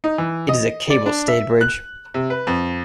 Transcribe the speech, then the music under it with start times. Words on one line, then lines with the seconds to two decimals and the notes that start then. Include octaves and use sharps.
It is a cable-stayed bridge.
0.04 D#4
0.18 E3
0.49 D#5
0.90 D5
1.06 D4
1.28 E5
1.61 F#6
2.14 C3
2.30 B4
2.47 F2